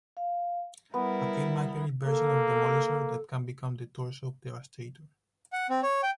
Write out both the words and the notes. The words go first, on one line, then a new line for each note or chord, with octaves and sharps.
A film-accurate version of Demolishor that can become the torso of Devastator.
F5
G3 B3 E4 A#4
A#3 A4
F#5
C4
C#5
G5